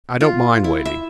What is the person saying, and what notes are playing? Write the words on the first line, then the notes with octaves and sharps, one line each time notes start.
I don't mind waiting.
F4
E4
E5